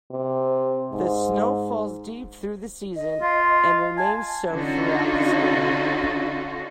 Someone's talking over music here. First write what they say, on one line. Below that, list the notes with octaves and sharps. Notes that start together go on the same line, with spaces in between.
The snow falls deep through the season, and remains so throughout the spring.
C3
G#2
D#5
F4
G#5 A5
D3 C#4 D#4 F4 F#4